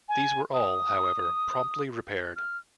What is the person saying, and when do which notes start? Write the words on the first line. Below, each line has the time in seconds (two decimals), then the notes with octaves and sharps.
These were all, however, promptly repaired.
0.09 G#5
0.54 D#6
2.36 F6